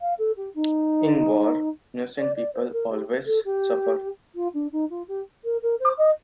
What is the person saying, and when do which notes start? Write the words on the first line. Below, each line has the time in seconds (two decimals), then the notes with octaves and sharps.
In war, innocent people always suffer.
0.01 F5
0.19 A4
0.37 G4
0.55 D#4
2.18 D5
2.36 D5
2.54 C5
2.73 A#4
2.91 G4
3.26 A4
3.45 G4
4.35 F4
4.54 D4
4.72 D#4
4.90 F4
5.08 G4
5.44 A#4
5.63 A#4
5.80 C5
5.98 D#5